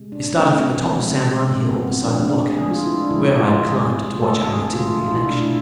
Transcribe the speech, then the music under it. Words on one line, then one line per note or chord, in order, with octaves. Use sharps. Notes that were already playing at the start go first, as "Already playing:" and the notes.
It started from the top of San Juan Hill beside the block-house, where I had climbed to watch our artillery in action.
Already playing: C3 G#3
D4
D3 A3 C4
D3 F3 G#3 C4
C3 G#3 C4
B3
C4
D3 F3 A3 D4
D4
G#4
D3 F3 G#3 G#4
F4
E4
D4
D3 F3 G#3 E4
F4
C3 G#3 G#4
D3 A3 A4
G#4
D3 A3 F4
F4
E4
B2 A3 D4
E4